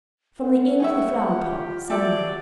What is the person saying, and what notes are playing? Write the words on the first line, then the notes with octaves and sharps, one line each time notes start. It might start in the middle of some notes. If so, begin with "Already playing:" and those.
"From the Inn of the Flower-pot, Sunday."
E4 A#4 F#5
G#4 C#5 E5 G5
F4 G4
F#3 F#4 G4 A4 D5 E5